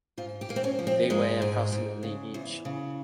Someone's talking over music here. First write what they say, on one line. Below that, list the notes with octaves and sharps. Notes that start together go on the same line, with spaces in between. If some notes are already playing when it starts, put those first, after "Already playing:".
They weigh approximately each.
G#2 F4
G4
G#2 A#3
C4
C#4
F3
C4
G#2 G#3
G#2
G#2
C#3
E2
C#3